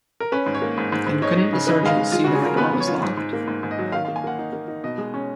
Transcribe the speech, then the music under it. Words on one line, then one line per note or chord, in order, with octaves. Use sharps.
And couldn't the sergeant see that my door was locked?
A#4
C#4 B4
G#2
C#5
A#3
G#2
G#2
G#2
D#4 C#5
D#4
C#3
D#4 B4
G#3 F5
D#5
G#3
G#3 F4
F#4
C#3
G#4
F4 A#4
B3 B4
B3
C#5
F4
G#2
G#2
A#3
G#2
G#2
D#5
F#3
D#3 F5
F5
A#3
G#5
A#3 F#5
D#4
A#3
D#4
B2 D#5
G#3
C#4